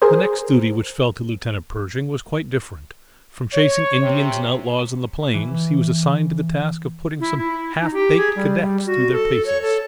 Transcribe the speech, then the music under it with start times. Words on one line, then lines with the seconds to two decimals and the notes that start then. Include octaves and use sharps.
The next duty which fell to Lieutenant Pershing was quite different. From chasing Indians and outlaws on the plains, he was assigned to the task of putting some "half baked" cadets through their paces.
0.02 G#4 A#4 C5
3.53 C#5
4.02 C3
5.34 E3
7.20 E4
7.37 E4
7.82 D#4
7.94 G4
8.18 G#4
8.36 G3
8.62 G3
8.86 F#4
9.12 A4
9.46 C#5
9.62 A4